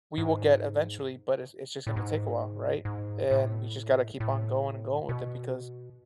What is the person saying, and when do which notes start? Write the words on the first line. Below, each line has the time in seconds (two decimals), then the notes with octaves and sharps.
we will get eventually, but it's it's just gonna take a while, right? And, we just gotta keep on going and going with it because
0.18 G#2
1.87 A2
1.96 G#2
2.85 G#2
3.31 A2
4.20 A2
5.09 B2